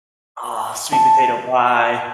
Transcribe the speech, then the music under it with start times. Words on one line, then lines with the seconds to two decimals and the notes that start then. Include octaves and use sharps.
Oh, sweet potato pie.
0.92 A5